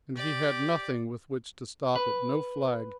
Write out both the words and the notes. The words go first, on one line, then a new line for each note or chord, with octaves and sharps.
And he had nothing with which to stop it, no flag.
G4 D5
B4